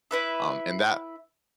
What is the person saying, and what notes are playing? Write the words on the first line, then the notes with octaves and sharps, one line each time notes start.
um, and that,
E4 B4 E5